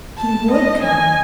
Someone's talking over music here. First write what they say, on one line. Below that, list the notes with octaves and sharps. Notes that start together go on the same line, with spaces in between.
He would come!
A5
D#5
G#5